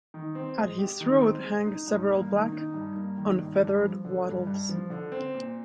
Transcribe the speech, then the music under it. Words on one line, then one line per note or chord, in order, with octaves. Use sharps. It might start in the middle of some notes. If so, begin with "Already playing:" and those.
At his throat hang several black, unfeathered wattles.
D#3
C4
G#3
G4
D#3
C4
G#3
D#4
G2
A#3
D#3
D#4
G2
A#3
D#3
G2
G2
F3
D3
G2
G2
F3
D3
C4
A#2